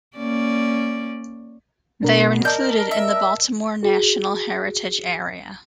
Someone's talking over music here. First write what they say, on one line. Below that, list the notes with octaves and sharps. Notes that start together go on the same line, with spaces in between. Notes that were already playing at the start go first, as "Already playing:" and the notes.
They are included in the Baltimore National Heritage Area.
A#3 C#4 D5
B2 D4 A#4
A#4 D5 D#5 A5 G6
E5
F#4 G#4